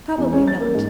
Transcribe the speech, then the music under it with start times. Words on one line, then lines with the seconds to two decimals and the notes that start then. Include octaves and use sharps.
Probably not.
0.18 E2
0.33 C#4
0.48 A6
0.61 A#3
0.75 G#2